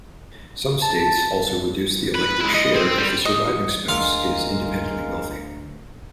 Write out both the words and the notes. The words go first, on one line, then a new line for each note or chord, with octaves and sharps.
Some states also reduce the elective share if the surviving spouse is independently wealthy.
A5
B4
G#3 E4
D#5
C4
G3
D#5
D2 G#3 F4 A#4 F5